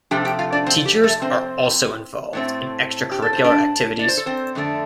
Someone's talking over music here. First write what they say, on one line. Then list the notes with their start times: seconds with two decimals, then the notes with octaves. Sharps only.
Teachers are also involved in extracurricular activities.
0.11 C3 F3 A3 D4 G4 G5
0.25 G4 G5
0.39 F4 F5
0.52 D4 D5
0.66 C4 C5
0.85 G4
1.03 A3 A4
1.22 C4 C5
2.33 A2 A3 C4
3.11 G4
3.22 A4
3.33 C5
3.44 D4 D5
3.99 D5
4.08 C5
4.17 A4
4.26 C4 C5
4.55 F2 D3 A3 D4